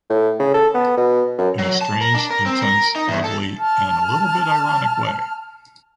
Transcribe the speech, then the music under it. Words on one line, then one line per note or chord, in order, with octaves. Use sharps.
In a strange, intense, lovely and a little bit ironic way.
A2
C#3
A4
B3
B2
F#2
F#3
A5
A#4
D4
A#4
C4
A#4
D#4
E2
A4
A5 F6